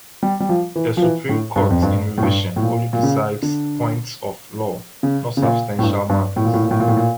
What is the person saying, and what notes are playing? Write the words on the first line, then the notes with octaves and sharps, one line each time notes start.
The Supreme Court in revision only decides points of law, not substantial matters.
G3
G3
F3
E3
F3
E3
A2
G2
F2
G2
A2
G2
A2
A#2
A#2
C#3
D3
C#3
C#3
A#2
A2
G2
G2
A2
A#2
A2
A#2
A2
A#2
A2
A#2